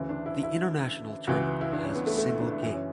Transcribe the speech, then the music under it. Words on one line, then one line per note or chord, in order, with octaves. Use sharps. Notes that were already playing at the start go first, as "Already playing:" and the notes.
The international terminal has a single gate.
Already playing: D2 C#3 E3
D4
E4
E4
C#2 C#3 E3 F#4
E4
D4
C#4
B3
A3
A3
E4
D4
E4
F#2 E3 E4
C#4